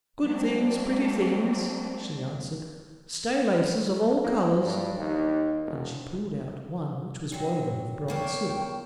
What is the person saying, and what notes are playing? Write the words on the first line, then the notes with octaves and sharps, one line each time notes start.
"Good things, pretty things," she answered; "stay-laces of all colors," and she pulled out one which was woven of bright silk.
F#3 G#3 A#3 C4 D4
A#3 E4
G2 C#5
D#2 D#4
E1
C3 F#3
E2 A#3 A4 C#5 G5